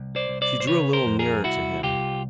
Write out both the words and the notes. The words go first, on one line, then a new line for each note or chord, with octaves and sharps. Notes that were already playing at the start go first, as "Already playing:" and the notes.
She drew a little nearer to him.
Already playing: C2
C5 D5
C2
C5 D5
C5
C#3 B4 C#5
A#4 C5
F2
G#4 A#4
C2 E4 F#4
C2 F4 G4